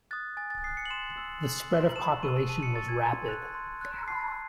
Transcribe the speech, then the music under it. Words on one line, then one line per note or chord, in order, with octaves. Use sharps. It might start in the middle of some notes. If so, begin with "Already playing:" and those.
The spread of population was rapid.
D#6 F#6 A6
G#5 A6
A6
D#6 F#6 C7
C#7
F#7
C6 E7
E6
C6 F#7
E6
F#7
A5 E7
C#6 E6 D#7
A5 D#7
C#7
C#6 E6 A6
G#6
C6
F#6
C6
F#6
A5 C7